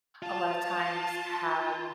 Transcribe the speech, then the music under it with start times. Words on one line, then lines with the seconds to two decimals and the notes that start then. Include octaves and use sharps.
a lotta times, have
0.22 F4 A5